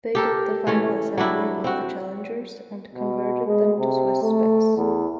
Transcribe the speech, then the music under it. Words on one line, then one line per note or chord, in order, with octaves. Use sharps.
They did the final assembly of the Challengers and converted them to Swiss specs.
G4 A4 A#4
E3 A3 C#4
F#3 G3 D4 E4
C4 F#4
B2
G#3
C3
A3
E2